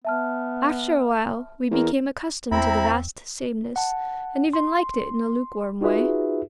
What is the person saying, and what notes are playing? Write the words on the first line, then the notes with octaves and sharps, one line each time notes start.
After a while we became accustomed to the vast sameness, and even liked it in a lukewarm way.
B3 E5 A5 F6
E2 A#4
E2 C4 E4 A#5 B5
F#5 A5
C6
D#4 F4 F#4 G#4 B4 E5